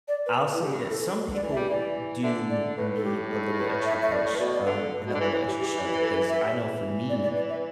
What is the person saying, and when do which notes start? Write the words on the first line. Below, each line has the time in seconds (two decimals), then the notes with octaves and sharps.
I'll say that some people do need a little extra push, um, and a little extra shove 'cause I know for me,
0.08 D5
0.26 B4
0.43 B4
0.54 E4
0.62 A2 G4
0.72 G2
0.83 A2
0.89 A4
1.00 E3
1.07 D3
1.16 B2
1.29 D3
1.34 D5
1.43 E3
1.52 E5
1.56 G3
1.69 E3 D5
2.23 D3 E5
2.50 D5
2.77 A2 B4
2.96 A4
3.05 G4
3.32 A4
3.59 B4
3.85 E5
4.02 E5
4.12 D5
4.34 B4
4.39 B2 D5
4.53 D5
4.66 D3 B4
4.80 A4
4.94 B4
5.06 B2 D5
5.14 D3
5.21 E3
5.30 E4
5.34 E3
5.47 G4
5.61 G4
5.74 E4
5.87 G4
6.01 A4
6.28 E5
6.45 G3
6.55 E3
7.09 D5
7.23 D5
7.36 D5
7.49 E5